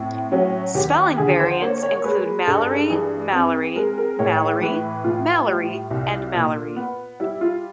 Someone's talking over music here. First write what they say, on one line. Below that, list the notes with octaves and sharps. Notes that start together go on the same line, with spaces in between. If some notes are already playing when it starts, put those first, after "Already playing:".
Spelling variants include Mallary, Mallery, Malorie, Mallorie, and Mallorey.
Already playing: A2 C4
F#3 C#4
D#2 G4
D3 G#4
C5
A#3 C#5
C#5
G#3 B4
G2 A4
E3 G#4
C4
G#3 A#4
A#4
A2 C#5
E3 B4
A2 F4
G3
C2
A#2
B3
G3 E4
F4